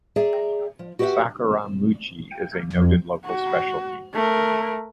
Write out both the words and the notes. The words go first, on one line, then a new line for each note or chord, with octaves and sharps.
"Sakuramochi" is a noted local specialty.
G#4 D5 E5 A#5
F3
F#4 G4 B4 D5 E5 F#5
F2
F#4
A3 A#4